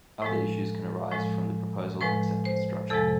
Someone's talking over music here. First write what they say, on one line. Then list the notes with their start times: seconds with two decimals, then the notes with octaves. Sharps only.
Other issues can arise from the proposal and acceptance structure.
0.22 A2 F3 G#3
1.11 A2 F3 G#3
2.01 A2 F3 G#3 B4
2.45 C5
2.90 F2 C3 F3 G#3 A4